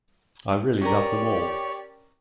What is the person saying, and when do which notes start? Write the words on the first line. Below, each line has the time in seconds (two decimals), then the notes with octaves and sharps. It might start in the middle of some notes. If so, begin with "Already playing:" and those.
I really love them all.
0.82 C#4 G4 A#4 C#5 D5